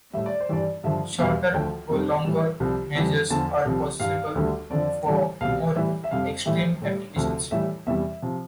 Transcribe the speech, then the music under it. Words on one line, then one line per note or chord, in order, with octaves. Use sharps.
Shorter or longer measures are possible for more extreme applications.
A2 G3 E5
D5
C5
G2 E3 G3 D5
G2 D3 F3 E5
E2 B2 G3 F5
D2 D3 F3 G5
F2 C3 G3
A2 E3 G3
C2 C3 F3
F2 E3 G3
E2 D3 F3 A5
C2 C3 F3
G2 E3 G3 F5
D2 D3 G3
F2 D3 F3 D5
A2 E3 G3
C2 B2 G3 F5
A2 E3 G3 E5
E5
F2 C3 G3 F5
A2 E3 G3 E5
A2 G3
D2 C3 F3
A2 E3 G3 E5
E2 C3 E3 G3 E5
C3 F3